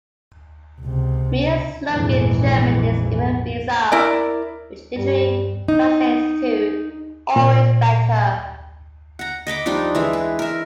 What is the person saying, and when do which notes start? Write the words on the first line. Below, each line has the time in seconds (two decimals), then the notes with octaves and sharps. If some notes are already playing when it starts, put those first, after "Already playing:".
Miele's slogan in German is "immer besser" which literally translates to "always better".
0.81 C#2 C3
1.90 A#1 F2 G#2 E3 G#3
3.92 E4 A#4 D5
4.96 G2 G3
5.68 D#4
7.36 A#2
9.19 F#5 A#5
9.47 D#5 A#5 B5 D6
9.66 F3 G3 D4 D#4
9.95 E3 G#3 E5
10.13 B4
10.39 A#4 E5